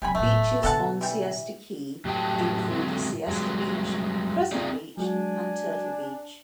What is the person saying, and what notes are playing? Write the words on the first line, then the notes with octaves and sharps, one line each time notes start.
Beaches on Siesta Key include Siesta Beach, Crescent Beach, and Turtle Beach.
C3 F#3 G3 G#5 B5
D1 A2 A3
B2 D3 A4 F#5 A5
E3 G3
A2 F#3 G4 G5 A5
G#2 D3 F#3 C4
G2 F#3 G#3
C4 D#4 F4 G#4 D5
F#3 G#3 D4 F#4 G#5